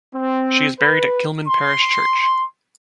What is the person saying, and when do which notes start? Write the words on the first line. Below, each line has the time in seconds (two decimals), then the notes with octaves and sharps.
She is buried at Kilmun Parish Church.
0.15 C4
0.80 B4
1.49 C6